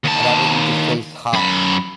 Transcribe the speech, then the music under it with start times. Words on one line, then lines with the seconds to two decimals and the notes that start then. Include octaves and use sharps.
and everything just tastes hot.
0.05 D#2 A5
1.33 F#2 B5